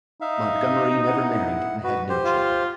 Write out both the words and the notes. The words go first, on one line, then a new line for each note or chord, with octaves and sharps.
Montgomery never married, and had no children.
D#4 E5 F5
E4 F#5
F#4 B4
G4 C5
F4